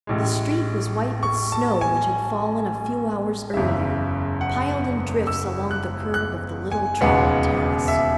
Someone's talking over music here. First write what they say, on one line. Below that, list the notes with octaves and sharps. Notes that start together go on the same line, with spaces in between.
The street was white with snow which had fallen a few hours earlier, piled in drifts along the curb of the little-traveled terrace.
A1 A2 G#3
C#6
A5
G#5
F#1 E2 C#3 E5
F#5
E6
F#6
F#6
G#5
E1 D#2 C#3 G#3 B3 F#5
E5